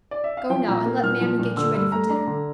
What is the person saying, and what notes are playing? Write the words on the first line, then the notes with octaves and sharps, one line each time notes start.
"Go now and let mammy get you ready for dinner."
D5
E5
F5
F3 G5
A#2 A#5
A#3
A#2 F6
F3
A#2
D3 E6
G2 E6
A3 A#5
D4 A#5
D3